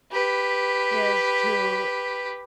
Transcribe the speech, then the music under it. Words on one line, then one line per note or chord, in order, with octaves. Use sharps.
is to
G4 B4